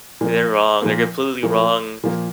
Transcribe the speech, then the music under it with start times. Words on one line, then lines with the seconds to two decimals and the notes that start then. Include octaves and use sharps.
They're wrong, they're completely wrong,
0.21 A#2 F3 A#3
0.82 A#2 F3 A#3
1.43 A#2 F3 A#3
2.04 A#2 F3 A#3